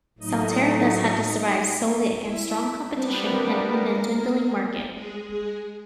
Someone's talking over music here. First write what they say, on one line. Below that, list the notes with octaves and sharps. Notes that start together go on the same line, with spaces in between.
Saltair thus had to survive solely against strong competition, and in a dwindling market.
A2 F#3 A3 D#4 D#5
E4 E5
G3 B3 C4 D4 C5
A#3 A#4
G#3 G#4
G#3 G#4